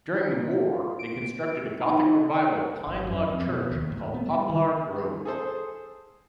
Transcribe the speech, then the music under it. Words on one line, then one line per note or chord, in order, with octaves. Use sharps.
During the war they constructed a Gothic Revival pine-log church called Poplar Grove.
F4
D7
D#4
G#1
F#2
F2
B2
D#2
A2
B3
G3
D#3
G#4 A4 C5